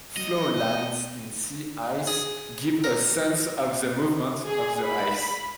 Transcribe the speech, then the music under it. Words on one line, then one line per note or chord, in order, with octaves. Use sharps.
Flow lines in sea ice give a sense of the movement of the ice.
F#3 D#5
B2
G#4
A#4
G#4
B5